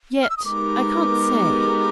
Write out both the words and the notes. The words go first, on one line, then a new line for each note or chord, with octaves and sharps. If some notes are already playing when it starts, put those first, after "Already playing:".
Yet, I can't say.
F6
E6
D#6
G#3 B3 D#4 G4 A#4 D6